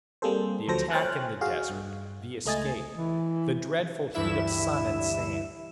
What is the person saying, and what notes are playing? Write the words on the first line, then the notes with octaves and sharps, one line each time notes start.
The attack in the desert, the escape, the dreadful heat of sun and sand.
G3 A#3 C4 G#4 A4 C5
D2 F3 F#3 A4 C5 A#6
C5 C#5 G5 G#5 F6 F#6
F#4 G#4 F5
G2
C#2 A3 D#5 G#5 A6
E3
D2 G2 E3 E4 E5 E7